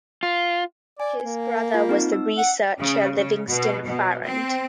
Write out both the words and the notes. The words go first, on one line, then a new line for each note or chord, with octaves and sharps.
His brother was the researcher Livingston Farrand.
F4
D5 G#5
A#3
F4
C4 D#4
E6
F#5
C#3
C#3
B2
B2
C4